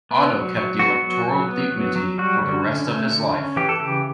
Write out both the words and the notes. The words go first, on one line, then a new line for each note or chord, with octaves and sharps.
Otto kept the electoral dignity for the rest of his life.
B3
F#3
F#3
B3 F#4
F#3
F#3
B3
F#3
F#3
G3 F#4
D3
C#4
A3
D3
C#4
E3 G4
A4
C#3 G4